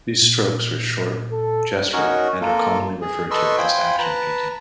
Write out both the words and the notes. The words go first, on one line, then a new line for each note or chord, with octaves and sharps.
These strokes were short, gestural and are commonly referred to as action painting.
A#2
A4
C#4 D#4 F#4 A#4 C#5
A#3 F4 A4
G#4
A4 B4 D#5 C6 C#6 E6
F4 C5 G5 G#5 B5
B4 A5 A#5